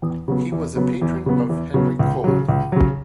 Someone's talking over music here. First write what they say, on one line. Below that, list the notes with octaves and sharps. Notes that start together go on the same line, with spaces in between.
He was a patron of Henry Cole.
E2
C#3 F#3 B3
E2
C#3 F#3 B3
E2
C#3 F#3 B3
E2
C#3 F#3 B3
C#2
C#3 F#3
C#2
C#3 F#3